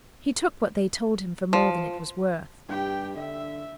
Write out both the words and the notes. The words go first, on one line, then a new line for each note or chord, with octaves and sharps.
He took what they told him for more than it was worth.
F3
G2 G4 G5
D3 E5